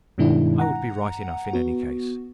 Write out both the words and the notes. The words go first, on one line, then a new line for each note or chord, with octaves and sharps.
I would be right enough in any case . . .
G2 B2 D#3 G#3 D4 E4
F#5 A#5
B3 F#4